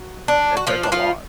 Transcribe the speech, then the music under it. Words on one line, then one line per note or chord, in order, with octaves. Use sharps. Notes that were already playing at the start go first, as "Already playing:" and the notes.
Eh, there's a lot.
Already playing: F#3
D4
F#4
F3 F4
D4
F3 F4